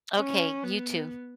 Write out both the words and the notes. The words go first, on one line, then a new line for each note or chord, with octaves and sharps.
Okay, you too.
C#4
B3